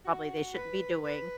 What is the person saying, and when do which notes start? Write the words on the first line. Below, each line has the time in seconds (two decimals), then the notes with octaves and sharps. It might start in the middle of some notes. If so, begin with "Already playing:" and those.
probably they shouldn't be doing.
0.05 F#4
0.54 B4
1.04 B4